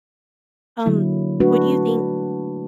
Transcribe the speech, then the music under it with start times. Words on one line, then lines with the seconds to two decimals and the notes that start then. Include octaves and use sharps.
Um, what do you think,
0.86 D3 F#3 A#3 E4
1.40 F#3 G#3 A3 D4 F#4 B4